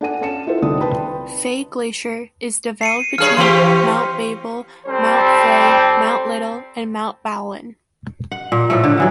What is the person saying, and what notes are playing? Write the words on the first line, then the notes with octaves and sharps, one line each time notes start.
Fay Glacier is developed between Mount Babel, Mount Fay, Mount Little and Mount Bowlen.
D4 A4 F#5 G#5 D#7
C#4 A5 C#7 E7
E4 F4 A4 C5 E5
C2 D3 D#3 C4 D4 D#6
B4 G5 A5 B5 C6
C7 C#7 D#7
G2 G#4 C#5 F6
E3 C4 G4 C6 C#6
G3 C4 A4 C5
F#5
A#2
A2 F3 A3
D3
D3 E3 F#3